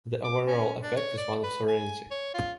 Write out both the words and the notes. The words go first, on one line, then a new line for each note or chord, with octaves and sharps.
The overall effect is one of serenity.
D6
C#4
D4
C#5
D5
B4
G#5
C#5
F4